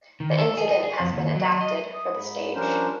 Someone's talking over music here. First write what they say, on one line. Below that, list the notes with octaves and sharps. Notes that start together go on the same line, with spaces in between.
The incident has been adapted for the stage.
D#3
A4
G#4
D#5
G#4
F2
D#2
F#3
D#5
D#6
G#2 B5
F3 G3 C#4 D4 A#4 C5